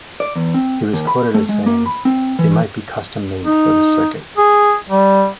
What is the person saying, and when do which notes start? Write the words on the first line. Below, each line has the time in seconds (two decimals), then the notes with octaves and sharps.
He was quoted as saying, They might be custom made for the circuit.
0.20 D5
0.36 E2
0.54 C4
0.93 D#2
1.07 B5
1.34 A3
1.49 G#3
1.66 A#3
1.86 B5
2.05 C4
2.39 E3
3.44 D#4
4.37 G#4
4.89 G3